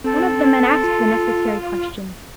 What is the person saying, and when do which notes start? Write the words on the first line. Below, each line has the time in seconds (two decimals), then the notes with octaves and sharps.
One of the men asked the necessary questions.
0.04 C4 A4
0.84 F4